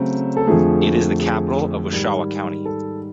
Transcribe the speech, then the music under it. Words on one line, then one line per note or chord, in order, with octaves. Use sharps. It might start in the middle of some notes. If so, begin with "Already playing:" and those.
It is the capital of Wschowa County.
Already playing: C#3 F#3 A3 C4
A4
F2 D3 F3 A3 G#4
G#4
G#2 D#3 G3
A4